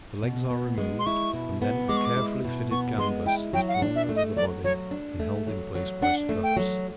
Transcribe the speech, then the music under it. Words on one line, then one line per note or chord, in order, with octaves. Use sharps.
The legs are removed and then a carefully fitted canvas is drawn over the body and held in place by straps.
B2
B3
G#3
C6
E4 C#6
B2
B3
G#3 D6
C#6
D6
E4
B2
B3 C#6
G#3 C6
E4 G5
F#3 G5
F5
F#5
D4
E5
A3
D#5
F#3 D5
F#3 C#5
D4
A3
F#3
F#3
D4 F#5
A3
G5
F#3